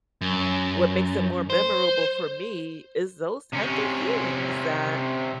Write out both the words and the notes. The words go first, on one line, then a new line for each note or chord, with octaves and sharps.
what makes it more memorable for me is those type of things that
F#2
C5
C3 C#4